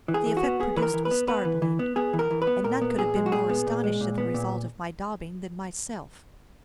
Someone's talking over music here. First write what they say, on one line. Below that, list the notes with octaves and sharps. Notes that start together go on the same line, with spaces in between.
The effect produced was startling, and none could have been more astonished at the result of my daubing than myself.
E3
G#4
E3
F#4
B3
B3 G#4
E3 B4
A#4
E3
B4
B3
B3 B4
E3
E3
B3
B3 G#4
E3
A#4
E3
B4
B3
A#2 A#4
B3
A#2 G#4
G#3
F#4
A#2 G#4
B3
A#2
G#3
A#2
B3
A#2